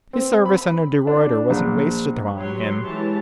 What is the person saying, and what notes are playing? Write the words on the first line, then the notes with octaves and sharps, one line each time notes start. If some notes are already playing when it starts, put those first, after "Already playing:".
His service under de Ruyter wasn't wasted on him.
C4
B5
D4
A#1
F#3 G4 B4 C#5 C6
E3 G#3 G4 C#5 A5